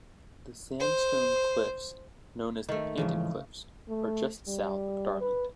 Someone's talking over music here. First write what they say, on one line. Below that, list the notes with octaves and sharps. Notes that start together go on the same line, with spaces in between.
The sandstone cliffs known as the Painted Cliffs are just south of Darlington.
C5
D#3 A3
G#2 C#3 E3 F3
A3
G3
B4